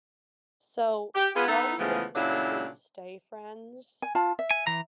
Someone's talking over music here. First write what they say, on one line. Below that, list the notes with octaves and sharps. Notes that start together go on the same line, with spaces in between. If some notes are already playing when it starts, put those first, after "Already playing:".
so, while we definitely didn't stay friends,
G4
B3 F4 G#4
B3 D#4 E4 A4
C#3 E3 F3 G#3 A3 B3
A#2 C#3 F#3 D4 E4 F4
G#5
F4 F5 A5
E5
G#5
E3 A#5